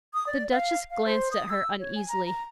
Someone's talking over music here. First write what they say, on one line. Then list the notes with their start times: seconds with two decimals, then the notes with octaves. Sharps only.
The Duchess glanced at her uneasily.
0.14 D#6
0.27 D5
0.51 F5
0.90 F5
1.05 C5
1.31 D#6
1.49 E6
1.80 C#5
1.95 G#5
2.09 A#5
2.26 A#5